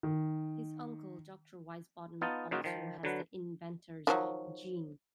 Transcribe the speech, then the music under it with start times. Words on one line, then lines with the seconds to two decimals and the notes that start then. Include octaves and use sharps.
His uncle, Doctor Wisebottom, also has the Inventor's Gene.
0.03 D#3
2.21 B3 D#4 F4 A5
2.51 C#3 A#3 D#4 F4 F#4
2.64 D#3 F3
3.03 D3 F#3 B4
4.07 D#3 F3 F#3